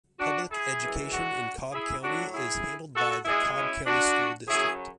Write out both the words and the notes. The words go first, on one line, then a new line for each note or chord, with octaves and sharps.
Public education in Cobb County is handled by the Cobb County School District.
D4 F#4
E4 G#4
F#2 E3 G#3
D4 F#4
E4 G#4
A2 F#3 D4 F#4
E4 G#4
F#4 A4
B2 G#3 E4 G#4
C#4 E4
D4 F#4
F#2 C#3 F#3 E4 G#4